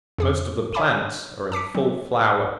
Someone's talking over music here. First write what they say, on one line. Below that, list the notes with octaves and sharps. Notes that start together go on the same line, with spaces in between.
Most of the plants are in full flower.
F2 G#4 D6
C#5 E5 G#5 A5 B5 D6
A5 D6 B6 C#7
F#3 C4